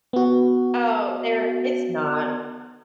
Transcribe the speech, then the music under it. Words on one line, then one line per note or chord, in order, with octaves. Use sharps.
Oh, there it's not.
B3 F#4